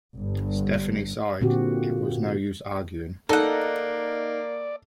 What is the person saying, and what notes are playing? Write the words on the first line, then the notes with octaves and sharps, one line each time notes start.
Stephanie sighed; it was no use arguing.
G1 G2
A#2 D3 C4 F#4 G4
A#3 D#4 A4 D5 F#5